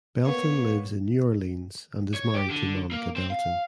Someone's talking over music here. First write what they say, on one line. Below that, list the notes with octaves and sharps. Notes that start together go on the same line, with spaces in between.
Belton lives in New Orleans and is married to Monica Belton.
A#3 B3 C#5
C#5
G4
D3
A#3
C4
F5